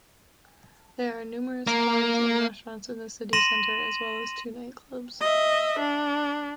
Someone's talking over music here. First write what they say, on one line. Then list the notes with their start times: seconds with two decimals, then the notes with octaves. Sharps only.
There are numerous pubs and restaurants in the city center, as well as two nightclubs.
1.67 A#3
3.33 C6 A#6 D#7 E7 F#7
5.20 D#5 E5
5.79 D4